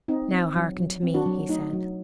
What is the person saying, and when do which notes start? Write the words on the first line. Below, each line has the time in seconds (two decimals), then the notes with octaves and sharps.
"Now, hearken to me," he said.
0.08 C4 D#4
0.32 C4
0.56 F#3
0.79 F#3
1.03 C4
1.14 D4 F#4
1.26 F#3
1.49 A3 D#4
1.73 F#3